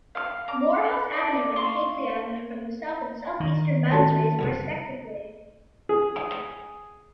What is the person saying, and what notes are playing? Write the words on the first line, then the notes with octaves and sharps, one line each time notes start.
Moorhouse Avenue and Hagley Avenue form the south and south-eastern boundaries, respectively.
F5
A#5 D6
D4 D5
F5 C6 C#6
D#3
A2 C#4 F#4 A5
C2 F#2 C#3
G#4